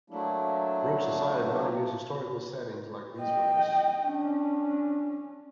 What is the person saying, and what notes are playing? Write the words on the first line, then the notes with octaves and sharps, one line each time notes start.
Brooks decided not to use historical settings like these works.
F#3 A3 A#3 D4 E4
D#5 G5
C#4 D4